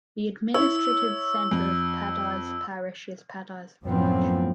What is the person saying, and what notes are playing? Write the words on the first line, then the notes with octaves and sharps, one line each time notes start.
The administrative centre of Padise Parish is Padise village.
E4 C#5 E6
F2
F#2 A2 F3 B3 C4